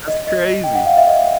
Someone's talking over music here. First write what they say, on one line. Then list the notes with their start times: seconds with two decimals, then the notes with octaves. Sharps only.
That's crazy.
0.08 D#5
0.27 D#5
0.64 G5
0.75 F#5
0.86 F5
0.97 E5
1.07 D#5